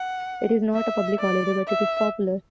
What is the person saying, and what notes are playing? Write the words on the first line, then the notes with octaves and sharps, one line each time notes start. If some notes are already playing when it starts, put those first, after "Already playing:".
It is not a public holiday, but it is popular.
Already playing: F#5
E5
D5
E5